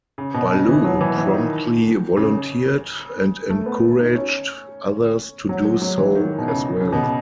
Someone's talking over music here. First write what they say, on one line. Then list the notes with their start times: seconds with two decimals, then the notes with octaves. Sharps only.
Ballou promptly volunteered, and encouraged others to do so as well.
0.18 C#3
0.34 B2
0.52 C#3
0.69 E3
0.84 F#3
1.01 E3
1.18 E3
1.34 D#3
2.17 C#3
3.50 A3
3.66 B3
4.00 D#4
4.15 C#4
5.49 F#3
5.65 G#3
5.82 F#3
5.98 E3
6.15 D#3
6.38 B2
6.48 C#3
6.81 C#3
6.93 B2
7.03 C#3